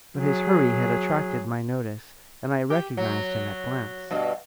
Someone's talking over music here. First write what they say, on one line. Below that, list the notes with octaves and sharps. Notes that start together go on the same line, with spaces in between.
But his hurry had attracted my notice, and I recognized him at glance.
F#3 G#4
G4
F#3
G2 B2